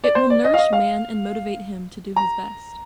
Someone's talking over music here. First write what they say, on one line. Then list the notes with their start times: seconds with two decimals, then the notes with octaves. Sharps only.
It will nourish man and motivate him to do his best.
0.04 D5
0.15 C5
0.30 D5
0.44 D#5
0.54 F5
0.59 D#5
0.73 F5
2.16 A#5